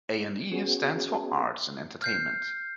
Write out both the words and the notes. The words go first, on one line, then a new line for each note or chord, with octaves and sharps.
"A and E" stands for "Arts and Entertainment".
B3 C#4 F#4 G#4
F6 G6 C7